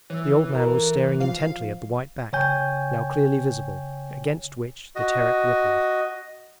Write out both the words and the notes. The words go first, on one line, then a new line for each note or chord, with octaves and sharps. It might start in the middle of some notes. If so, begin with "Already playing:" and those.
The old man was staring intently at the white back, now clearly visible, against which the Terek rippled.
E3 C#5 E6
A4 A#4 A#5
F3 F5
C#3 C#5 G5 G#5 G6
F#4 D#5